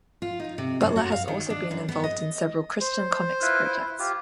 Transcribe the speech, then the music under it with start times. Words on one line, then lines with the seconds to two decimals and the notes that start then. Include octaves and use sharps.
Butler has also been involved in several Christian comics projects.
0.22 F4
0.40 D#4
0.58 C3
0.81 F#2
0.96 F#4
1.12 F5
1.28 D#3
1.50 D4
1.71 F#2
1.89 B3
2.04 D#5
2.81 C5
3.42 E4 F4 B4
3.64 E4
3.99 F4 G4